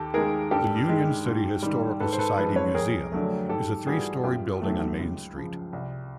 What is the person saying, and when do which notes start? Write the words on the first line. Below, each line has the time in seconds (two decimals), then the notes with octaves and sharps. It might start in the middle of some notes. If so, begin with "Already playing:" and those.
The Union City Historical Society Museum is a three story building on Main Street.
Already playing: D#2 G4 A4
0.14 D#3 G#3 G#4 A#4
0.51 G2 G4 A4
0.88 D#3 G#3
1.26 G#2
1.63 D#3 G3
2.00 G#2 A4 B4
2.13 C5
2.19 A4 B4
2.37 F3 G#3 A4 B4
2.56 B4 C#5
2.74 F2 G#4 A#4
3.12 D3 F#3 A3
3.49 G#2 G4 A4
3.87 E3 G3 F#4 G#4
4.24 F#2 F4 G4
4.62 D#3 F#3 A3
4.98 C#2
5.35 C#3 F3
5.73 C2